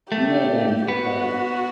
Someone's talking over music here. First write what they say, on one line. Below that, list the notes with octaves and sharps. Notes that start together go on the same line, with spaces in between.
No games were played.
A3 G4
B3 F#4